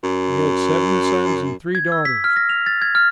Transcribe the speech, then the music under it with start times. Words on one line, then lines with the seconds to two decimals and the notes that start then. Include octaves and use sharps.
He had seven sons and three daughters.
0.03 F#2
1.75 G#6
1.92 E6
2.05 B6
2.24 F6
2.36 A#6
2.49 F7
2.66 A6
2.82 G#6
2.95 F6